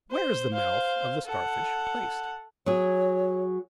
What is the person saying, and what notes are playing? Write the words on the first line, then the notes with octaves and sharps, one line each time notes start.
Where is the mouth of the Starfish placed?
C5
C5 F5
A4 F#5
F#3 G#4 C#5